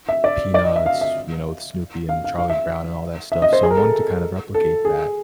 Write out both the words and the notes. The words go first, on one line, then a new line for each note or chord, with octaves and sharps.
Peanuts, you know, with Snoopy and Charlie Brown and all that stuff, so I wanted to kind of replicate that,
E5
D5
D5
D#5
E5
F5
E5
F5
F5
F5
E5
E5
D#5
C5
G#4
A#4
A4
A4
G#4